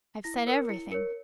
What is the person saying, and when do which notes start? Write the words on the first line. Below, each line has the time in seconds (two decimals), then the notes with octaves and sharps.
I've said everything....
0.24 E4 A#6
0.47 A#4 C#5 C#7
0.69 E4 C#7
0.91 A#4 C#5 C#7